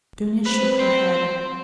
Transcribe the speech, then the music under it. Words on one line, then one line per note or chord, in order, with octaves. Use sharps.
Dounia shook her head.
C4 B4
C5 G5